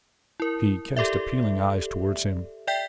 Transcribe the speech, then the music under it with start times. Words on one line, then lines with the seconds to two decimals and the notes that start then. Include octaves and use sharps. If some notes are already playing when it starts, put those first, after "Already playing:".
She cast appealing eyes toward him.
0.40 E4 A#4
0.97 G4 A4 D5 E5
2.67 D5 E5 G5 G6 B6